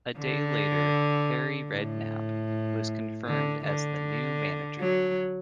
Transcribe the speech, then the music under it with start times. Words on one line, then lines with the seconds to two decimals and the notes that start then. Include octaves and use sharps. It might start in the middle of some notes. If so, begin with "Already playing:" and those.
A day later, Harry Redknapp was confirmed as the new manager.
0.18 D3
1.72 A2
3.26 D3
3.65 D3
4.79 F#3